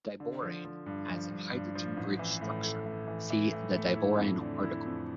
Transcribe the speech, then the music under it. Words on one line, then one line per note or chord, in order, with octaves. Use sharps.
Diborane has a hydrogen-bridged structure, see the diborane article.
D3
F3
F3
G2
F3
G2
G2
F3
A1
E3
A2
A3
A2
E3
E3
A2
A3
E4
F2
D3
E4
F2